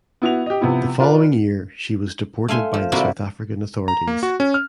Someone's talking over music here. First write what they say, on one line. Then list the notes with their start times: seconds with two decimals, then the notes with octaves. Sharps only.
The following year she was deported by the South African authorities.
0.22 B3 E4 F#4 F7
0.46 G4 D#5
0.61 C3 F3 B3 E4
1.00 D4 F4 A#4 B4
2.48 A3 F5 G#5 C6
2.74 F3
2.92 C3 G3 A#3 E4 F#4
3.88 A#5
4.07 A#3
4.23 F#4
4.40 C#4
4.54 F6